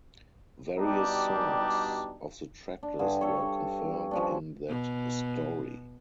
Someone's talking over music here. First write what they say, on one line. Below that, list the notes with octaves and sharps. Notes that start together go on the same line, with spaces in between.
Various songs of the tracklist were confirmed in that story.
B2 G3 D4 D#4 G4
D4
G2 D3 G#4
A4 C#5
F3 C#4 D4
B2